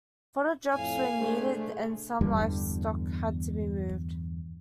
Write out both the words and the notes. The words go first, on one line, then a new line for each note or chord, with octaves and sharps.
Fodder drops were needed and some livestock had to be moved.
F2 A2 F5 G#5
A3 D4 G#4 C5
E2 G2 D3 G3